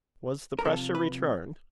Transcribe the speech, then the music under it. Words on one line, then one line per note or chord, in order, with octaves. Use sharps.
Was the pressure returned?
A#4
C3 F3 A4
B4